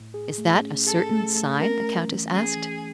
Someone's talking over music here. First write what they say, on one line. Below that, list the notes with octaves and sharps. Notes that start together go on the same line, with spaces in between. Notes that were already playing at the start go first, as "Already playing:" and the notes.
"Is that a certain sign?" the Countess asked.
Already playing: A2
G#4
A3
C#4
G#4 A4
A3
A3
C#4 A#4
A3
E3
C#4 G#4
E3